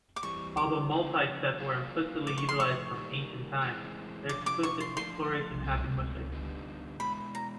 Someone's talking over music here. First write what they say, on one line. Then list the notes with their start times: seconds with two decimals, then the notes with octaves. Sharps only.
Although multisets were implicitly utilized from ancient times, their explicit exploration happened much later.
0.16 D6
0.23 E3 G3 C4 C#6
0.57 D6
0.91 C#3 F3 A3
1.58 F#3 A#3 C#4 F4
2.27 A2 F3 A3 D6
2.38 C#6
2.49 C6
2.60 C#6
2.94 D#3 G3 A#3
3.61 A2 E3 G#3 C4
4.29 C3 F3 A3 D4 F4 D6
4.46 D6
4.63 C#6
4.81 C6
4.97 F3 A3 D4 F4 C6
5.64 B2 F#3 A3 C4
6.32 D3 G3 B3 D#4
7.00 B2 G#3 B3 E4 B5
7.35 A#5